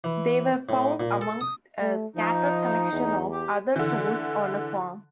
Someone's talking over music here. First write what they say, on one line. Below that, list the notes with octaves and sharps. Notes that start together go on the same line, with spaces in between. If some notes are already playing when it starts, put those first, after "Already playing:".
They were found amongst a scattered collection of other tools on a farm.
E3
A2
A#2
A4
D#6
A3
F3 D#4
E2
G4
D3 E3